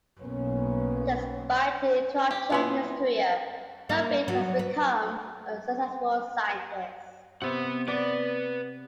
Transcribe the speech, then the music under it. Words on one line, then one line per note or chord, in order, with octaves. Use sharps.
Despite the interruption in his career, Ludvik has become a successful scientist.
B1 A#3 B3 C#4
G4
A#2 B3 E4 F4 B4 C6
A#3
F#3
B4
C3 B3 F#5
B4 D5 F#5